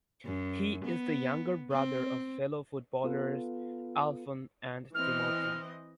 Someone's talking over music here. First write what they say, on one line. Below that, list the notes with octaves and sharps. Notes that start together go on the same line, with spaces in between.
He is the younger brother of fellow footballers Alfons and Timothy.
F#2
B3
C4
B3 F4 A4 B4 F5
E3 C4 D#5 F6